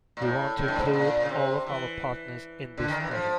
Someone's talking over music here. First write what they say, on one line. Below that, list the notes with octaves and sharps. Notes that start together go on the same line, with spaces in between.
We want to include all of our partners in this project.
A#2
A2
A2
G2
G#2
A2
A#2
C#3
C3
E3
D3
D#3
E3
F3